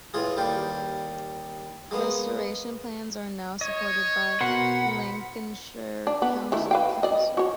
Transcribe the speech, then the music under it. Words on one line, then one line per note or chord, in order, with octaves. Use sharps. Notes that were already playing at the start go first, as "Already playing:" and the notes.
Restoration plans are now supported by Lincolnshire County Council.
A2 E3 F4 G#4
D#2 G3 F5 G5
G#3 A#3 B3
C#5 D#5
B2 A#4 C5 F#5 B5 C6
D4
B3
D#3 A3 E4
B4 F5 G5
D5 D#5
F#4 C#5